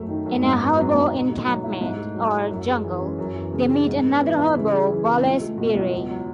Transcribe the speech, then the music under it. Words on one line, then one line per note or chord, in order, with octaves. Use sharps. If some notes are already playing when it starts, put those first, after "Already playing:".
In a hobo encampment, or "jungle," they meet another hobo, Wallace Beery.
Already playing: F#2 A3
D#3
F#2
G#2
B3
F#3
G#2
B2
A3
F#3
E4
G#2
A3
F#3
E4
F#2
G#3
E3
C#4
F#2
E3
C#3
G#3
G#2
B3
E3
E4
C#3
G#3
E3
C#3
C#2
A3
B2
C#2
E2
F#3